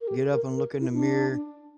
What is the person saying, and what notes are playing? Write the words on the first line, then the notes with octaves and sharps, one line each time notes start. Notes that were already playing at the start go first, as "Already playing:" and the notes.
get up and look in the mirror,
A#4
G4
A#4
A#4
E4
D4